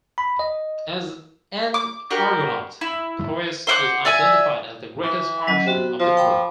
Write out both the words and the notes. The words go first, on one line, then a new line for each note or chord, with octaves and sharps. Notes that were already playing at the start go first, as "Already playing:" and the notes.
As an Argonaut, Poeas is identified as the greatest archer of the group.
B5
D#5
D6
D4 F#4 G4 A#4
E4
C5 E5 F#5 D6
D5 E5 G#5
E3
F#3 C#4 D#5
C3 B3 F#4
F3 F4
G5 B5 D6